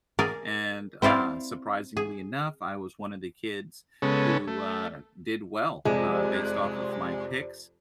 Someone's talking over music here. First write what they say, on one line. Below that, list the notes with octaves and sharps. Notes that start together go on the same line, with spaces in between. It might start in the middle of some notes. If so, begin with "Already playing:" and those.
and, uh, surprisingly enough, I was one of the kids who, uh, did well, uh, based off of my picks.
G#4 A#4 D5
C4 E4 C5 D5 F5
G#4
C#3 G#3 B3 C#4 A4
A3
F2 C3 G#3 G4 C5 D5